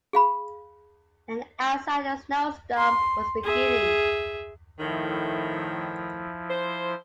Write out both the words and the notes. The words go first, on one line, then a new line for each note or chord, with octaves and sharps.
And outside a snowstorm was beginning.
G#4 F5 B5
C6
G#4 E5
A2 D#3 F3 E4
C5